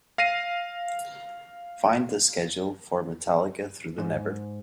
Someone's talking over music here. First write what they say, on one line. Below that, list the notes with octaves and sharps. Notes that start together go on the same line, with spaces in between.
Find the schedule for Metallica Through the Never.
F5 A#6 C7 D#7
G#2